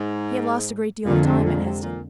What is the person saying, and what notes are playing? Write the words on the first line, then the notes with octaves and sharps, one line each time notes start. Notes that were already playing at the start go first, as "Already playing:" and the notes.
He had lost a great deal of time at Hesdin.
Already playing: G#2
F2 A#2 D3 G#3
C3
A#2
C3
A#2